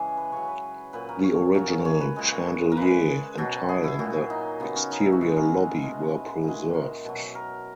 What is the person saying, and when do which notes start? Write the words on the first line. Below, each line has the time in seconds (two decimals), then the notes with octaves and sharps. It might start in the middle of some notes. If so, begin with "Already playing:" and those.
The original chandelier and tile in the exterior lobby were preserved.
Already playing: C#3 E3 G#3 G#4 C#5
0.17 B4
0.32 C#3 F#3 C#5
0.48 B4
0.93 A#2 F#3 B4
1.09 A#4
1.24 C#5
1.54 C#3 F#3 A#4
1.85 C#5
2.01 B4
2.16 A#2 G#3
2.72 A#4
2.77 C#3 G#3 B4
3.38 B2 F#3
3.69 G#4
3.84 E4
3.99 A#2 F#3
4.30 D#4
4.60 C#3 F#3 B3
4.76 C#4
4.91 D#4
5.03 E4
5.12 F#4
5.21 C#3 G#3 G#4
5.37 A#4
5.82 B2 G#3
6.13 B4
6.43 A#2 G#3
6.74 A#4
7.05 B2 F#3
7.35 A#4